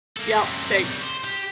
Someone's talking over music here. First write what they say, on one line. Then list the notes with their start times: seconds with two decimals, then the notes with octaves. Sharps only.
Yep. Thanks.
0.17 A#3 A4
0.36 F#2 C3
0.84 C#3 G3
1.01 C5
1.25 G4